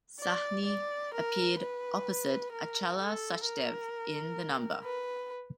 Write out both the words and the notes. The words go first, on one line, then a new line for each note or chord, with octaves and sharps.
Sahni appeared opposite Achala Sachdev in the number.
D5
D5
A#4
B4
A#4
A4
A#4
B4